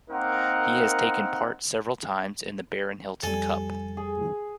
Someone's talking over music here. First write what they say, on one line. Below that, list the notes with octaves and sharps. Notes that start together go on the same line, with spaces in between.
He has taken part several times in the Barron Hilton Cup.
A#3 C4 D#4 A#4 F#5
F2 G3 A4 G#5
G#4